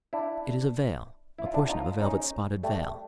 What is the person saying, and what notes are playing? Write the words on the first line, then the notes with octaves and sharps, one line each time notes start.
"It is a veil--a portion of a velvet-spotted veil."
D4 E4
E4
F4
D4 E4
D#4 F4
C#4 D#4
G3 A3